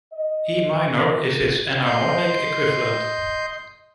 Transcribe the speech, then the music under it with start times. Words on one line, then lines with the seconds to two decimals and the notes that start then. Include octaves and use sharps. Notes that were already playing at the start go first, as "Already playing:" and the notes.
E minor is its enharmonic equivalent.
0.12 D#5
0.98 A#4
1.84 D#5 C6 G6